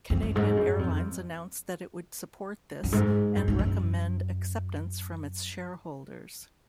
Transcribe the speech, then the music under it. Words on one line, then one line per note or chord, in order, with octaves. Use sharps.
Canadian Airlines announced that it would support this and recommend acceptance from its shareholders.
F2
F#2
G#2
F#2
F2
F#2
G#2
F#2
G#2
F#2